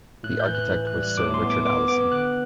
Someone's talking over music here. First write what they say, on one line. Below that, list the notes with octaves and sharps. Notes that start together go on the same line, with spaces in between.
The architect was Sir Richard Allison.
A2 F#6
G6
E3
F#6
E3
F#6
G3
F#6
A2 D6
C6
B3
D6
B3 D6
B3 D6
D3 F#6